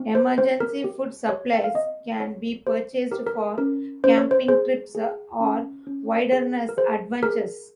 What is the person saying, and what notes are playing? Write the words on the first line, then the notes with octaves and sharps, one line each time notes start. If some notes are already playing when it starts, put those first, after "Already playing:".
Emergency food supplies can be purchased for camping trips or wilderness adventures.
Already playing: C4
C5
C4 C5
A#4
G4
G4 C#5
G5
F5
C4 D#5
C4 C#5
G4 C5
G4 A#4
A#4
C#4 A#4
C#4 C5
C#5
C5
G#4 C5
G#4
C#4
C#4
G#4 C5
A#4
G#4 C5
G#4 A#4